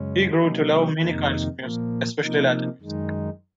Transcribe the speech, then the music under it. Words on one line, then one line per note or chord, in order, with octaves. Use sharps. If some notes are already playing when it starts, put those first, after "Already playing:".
He grew to love many kinds of music, especially Latin music.
Already playing: F#2 C#3 G#3 C#4
C3 F#3 A#3 D#4
F2 C3 D#3 A#3 D#4
A#2 F3 A#3
C3 F3 A#3 D#4
F#2 D#3 G#3 D#4